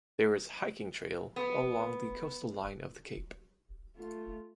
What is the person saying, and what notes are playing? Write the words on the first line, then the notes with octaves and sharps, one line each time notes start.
There is hiking trail along the coastal line of the cape.
B3
A3 F4